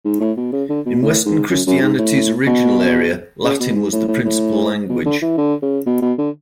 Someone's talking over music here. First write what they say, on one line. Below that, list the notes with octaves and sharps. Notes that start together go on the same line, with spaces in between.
In Western Christianity's original area Latin was the principal language.
G#2
A2
B2
C#3
D3
B2
A2
G#2
F#2
F#2
G#2
A2
B2
C#3
B2
G#2
A2
A2
A2
B2
D3
E3
D3
C#3
B2
B2
D3